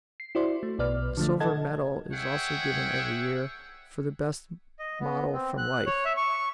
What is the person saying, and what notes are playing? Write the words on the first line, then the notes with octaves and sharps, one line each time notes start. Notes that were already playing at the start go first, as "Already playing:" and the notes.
A silver medal is also given every year for the best model from life.
C7
E4 F#4 C5 D5 C6
A3
B1 B2 B4 D5 F6
D3 F3 A3
A4 D#5 F#5 A5 G#6
G#4 C#5 E5 F#5 G5
D#5
B3
C4
F#6
C#5
E5
C#6